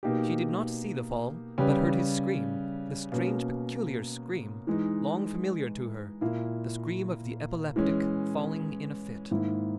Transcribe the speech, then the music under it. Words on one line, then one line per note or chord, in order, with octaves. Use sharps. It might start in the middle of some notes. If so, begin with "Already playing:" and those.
She did not see the fall, but heard his scream--the strange, peculiar scream, long familiar to her--the scream of the epileptic falling in a fit.
B2 A#3 D#4 G4
C#3 G3 C#4 G4 B4
B2 A#3 C#4
E3 G#3 D#4
A#2 A#3 E4
E3 G#3 C#4
G#2 D#3 A#3 E4